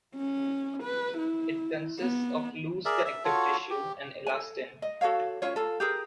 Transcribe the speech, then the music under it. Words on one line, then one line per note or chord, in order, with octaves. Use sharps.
It consists of loose connective tissue and elastin.
C#4
B4
E4
B3
G#4 A#4 D5 E5
E5
F4 F#4 A4 C#5
G4
A4 G#5
D#5
F#4 A4 C#5 F5
C#4 F4 C#5
F4 A4
G4 G#4 A#4